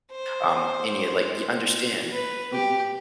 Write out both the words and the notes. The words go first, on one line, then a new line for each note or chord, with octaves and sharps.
um, and you, like you understand. O
C5
B4
G4